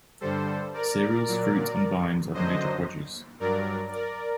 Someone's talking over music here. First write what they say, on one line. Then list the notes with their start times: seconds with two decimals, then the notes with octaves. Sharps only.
Cereals, fruit and vines are the major produce.
0.21 G2 D3 G3 A4 C5
0.74 A#4 D5
1.28 A#2 F#3
2.34 F#2 D3 F#3 C5 D#5
3.40 G2 F#3 A#4 D5
3.92 A#4 D5